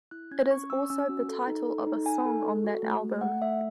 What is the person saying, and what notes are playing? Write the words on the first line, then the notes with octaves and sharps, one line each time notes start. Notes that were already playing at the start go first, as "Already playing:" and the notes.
It is also the title of a song on that album.
E4 F#6
C#4 G#6
C#4 C#6
C#4 E6
C#4 E6
F#4
A4
D#4
A4
D#4
D#4 G#5
A4
A4
F#4
A3
A3
A3 F#5
A3 E5